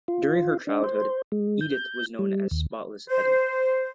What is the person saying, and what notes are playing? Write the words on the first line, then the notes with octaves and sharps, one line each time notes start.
During her childhood, Edith was known as Spotless Edie.
F4
D4
C5
G#3
G6
G3
D#2
C5